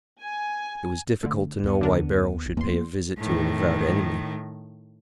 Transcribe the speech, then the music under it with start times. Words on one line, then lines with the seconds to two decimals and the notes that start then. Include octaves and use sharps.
It was difficult to know why Beryl should pay a visit to an avowed enemy.
0.21 G#5
1.23 D3 A3
1.64 D#2 B3
1.81 D3 D4 A#4
2.45 A#1
2.57 E2 A#3 B3 C6
3.18 A2 D#3